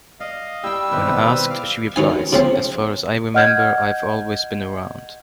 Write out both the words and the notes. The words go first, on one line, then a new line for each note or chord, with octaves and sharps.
When asked, she replies, As far as I remember, I've always been around.
D5 D#5 F5
G3 E4 G4 G5 E6
B2 D#3 C4 E4 B4
F5 D6 F6
F#2 E3 D#4 G#5
C#3 F3 C4
D#5 F#5 F6 G6 G#6